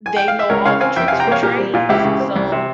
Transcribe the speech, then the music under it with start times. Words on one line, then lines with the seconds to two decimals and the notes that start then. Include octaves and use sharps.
they know all the tricks and trades, so
0.06 G#5
0.17 G5
0.28 F5
0.39 E5
0.50 C#2 A#4 C#5
0.65 C#3 C#5 F5
0.81 C4 F5 G#5
0.96 F2 E5 G5
1.08 C3 F5 G#5
1.20 G5 A#5
1.27 A#3 C#5 F5
1.43 A#2 G4 A#4
1.58 G3
1.74 A#2 F4
1.89 C#2 E4 G4
2.05 C#3
2.20 C4
2.36 C2
2.52 C3